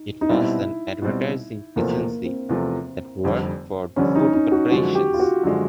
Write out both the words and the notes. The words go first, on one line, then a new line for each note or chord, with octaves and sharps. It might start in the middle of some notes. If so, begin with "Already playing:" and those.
It was an advertising agency that worked for food corporations.
Already playing: D#4
D#4
B2 G3 C4 E4
B2 G3 C4
E2 C3 F3 A3 A#3
A#3
C4
E2 C3 F3 A3
F1 F2 D3 G3
F1 F2 D3 G3 C#4
D#4
D#4
F#4
F#2 D3 F3 G#3 F#4
G4
F4
F#4
F#2 D3 F3 G#3 G4